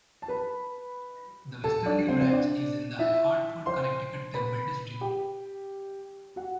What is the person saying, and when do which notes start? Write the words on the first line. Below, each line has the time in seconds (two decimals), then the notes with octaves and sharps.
The Westerly Branch is in the Hartford Connecticut Temple District.
0.22 A5
0.28 B4 B5
1.64 A4 A5
1.86 D4 D5
2.08 C4 C5
2.21 C5
2.31 D4 D5
2.99 E4 E5
3.66 C5 C6
4.34 B4 B5
5.01 G4 G5
6.36 F#4 F#5